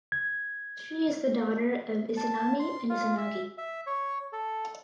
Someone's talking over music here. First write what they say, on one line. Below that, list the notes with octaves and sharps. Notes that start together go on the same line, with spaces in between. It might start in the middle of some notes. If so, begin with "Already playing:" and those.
She is the daughter of Izanami and Izanagi.
G#6
A5
C6
F4
E5
E5
C#5
A4